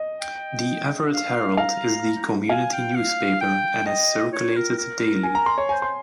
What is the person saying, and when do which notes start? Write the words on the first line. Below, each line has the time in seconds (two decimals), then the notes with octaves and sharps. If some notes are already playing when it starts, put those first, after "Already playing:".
The Everett Herald is the community newspaper and is circulated daily.
Already playing: D#5
0.20 G5
1.13 F5
1.57 F5 A#5
2.49 F5 G#5
2.73 G5
2.95 F5
3.41 G5
3.86 D#5 G5
4.33 C#5
4.56 A#4
4.78 A#4
5.23 G#5
5.35 A#5
5.46 C6
5.58 C#5
5.69 C5 G#5
5.82 C6